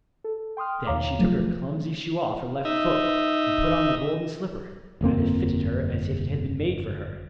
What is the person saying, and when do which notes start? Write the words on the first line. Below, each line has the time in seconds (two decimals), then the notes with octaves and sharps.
Then she took her clumsy shoe off her left foot, and put on the golden slipper; and it fitted her as if it had been made for her.
0.24 A4
0.57 G5 C6 D#6 F6
0.86 D#2 C#5 F5 A#5 D6
1.19 F3 F#3 A3
2.65 D#4 E5
5.01 G1 F2 A#3 C4